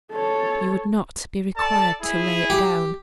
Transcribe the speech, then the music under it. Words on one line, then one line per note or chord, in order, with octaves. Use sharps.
'You would not be required to lay it down.'
A4 C#5
A4 D5 A5
E4 G#4
G4